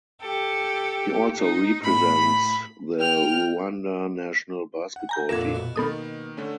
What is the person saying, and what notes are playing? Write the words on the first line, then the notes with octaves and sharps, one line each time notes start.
He also represents the Rwanda national basketball team.
G4 A4
D#4
A2 B5
G5 F6 F7
F#5
G#5 A#5 G6
F2 A#2 D3 A#4 E5 G#6 E7
B2
D#3 A#3 B3 A4 D#6
D3 A3 C#4